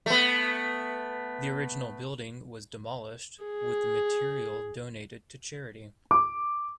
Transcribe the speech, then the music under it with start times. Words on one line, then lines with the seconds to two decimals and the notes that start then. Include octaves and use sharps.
The original building was demolished, with the material donated to charity.
0.06 A3 B3
3.44 G#4
6.11 D6